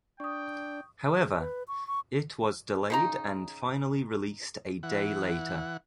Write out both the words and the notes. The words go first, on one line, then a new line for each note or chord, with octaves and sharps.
However, it was delayed and finally released a day later.
D4 G5 C#6 D#6
G#4
B4
C#6
C#6
C#3 D#4 A#5
E3 F#5